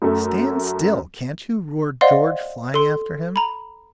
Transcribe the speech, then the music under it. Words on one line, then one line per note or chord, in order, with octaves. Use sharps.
"Stand still, can't you!" roared George, flying after him.
F#2 A3
C5 D5 D#5 F5 F#5 C6
A4 C6
A#5 B5